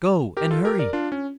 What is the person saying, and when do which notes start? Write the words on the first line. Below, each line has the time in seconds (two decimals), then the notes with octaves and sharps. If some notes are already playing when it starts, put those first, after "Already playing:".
Go, and hurry.
0.37 G4 A#4
0.51 F4 A4
0.65 G4 A#4
0.79 A#4 D5
0.93 D4 F4
1.12 C#4